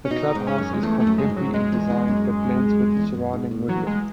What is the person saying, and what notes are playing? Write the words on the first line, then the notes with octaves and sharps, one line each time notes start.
The clubhouse is contemporary in design, but blends with the surrounding woodland.
C#4
B2 D#4
G#2
C#4
F#2
G#3
E2 A3
A3
F#2
G#3
G#2
F#3
F#2 G#3
E2
E2
F#2
E2
F#2
G#2
A2
E3 F#3
G#3